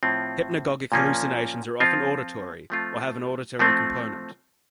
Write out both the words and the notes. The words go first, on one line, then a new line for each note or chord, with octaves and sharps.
Hypnagogic hallucinations are often auditory or have an auditory component.
A2 F3 C4 F4
A#2 F3 A#3 C#4
F3 C4 F4
F3 A3 C4 F4
F3 A3 C4